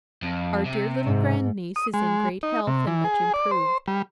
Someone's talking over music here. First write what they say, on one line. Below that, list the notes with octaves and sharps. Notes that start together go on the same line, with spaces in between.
Our dear Little Grand-niece is in great health, and much improved.
F2
C3
G#2
D#6
G#3
D#4
C3
E3
G#4
D5
C5
G3